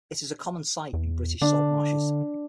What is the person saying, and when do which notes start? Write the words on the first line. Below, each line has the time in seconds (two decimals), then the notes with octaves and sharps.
It is a common sight in British salt marshes.
0.93 E2
1.42 D3 D4